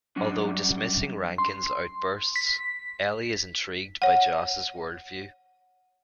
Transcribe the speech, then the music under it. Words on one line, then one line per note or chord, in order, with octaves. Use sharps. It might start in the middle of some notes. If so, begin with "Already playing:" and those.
Although dismissing Rankin's outbursts, Ellie is intrigued by Joss' worldview.
F#3 G3 C#4 D4
C6
B6
C#5 F#5